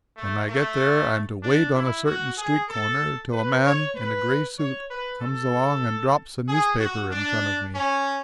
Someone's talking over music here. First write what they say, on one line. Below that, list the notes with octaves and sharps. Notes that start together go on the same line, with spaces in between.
When I get there I'm to wait on a certain street corner till a man in a gray suit comes along and drops a newspaper in front of me.
A3
A3
D4
E4
F#4
G#4
A4
B4
C#5
B4
C#5
B4
A4
G#4
F#4
D4
C#4